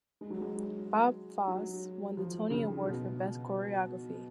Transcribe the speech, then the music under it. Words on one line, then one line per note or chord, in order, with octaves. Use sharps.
Bob Fosse won the Tony Award for Best Choreography.
G#3
F#3
G#3
F#3
F3
C#3
B2